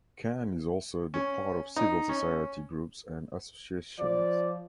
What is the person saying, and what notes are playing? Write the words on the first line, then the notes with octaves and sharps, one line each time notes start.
Khan is also the part of civil society groups and associations.
C#4
D#4
C#4
F3 D5